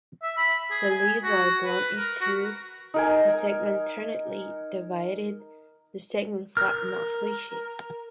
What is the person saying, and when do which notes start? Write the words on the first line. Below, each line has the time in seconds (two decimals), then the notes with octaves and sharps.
The leaves are bluntly toothed, the segments ternately divided the segments flat, not fleshy.
0.22 E5
0.37 B5
0.70 G#4
0.90 G#5
1.23 F#4
1.65 B4
1.97 A#4
2.20 F#4
2.94 D#4 A#4 G#5
6.57 A#4 F6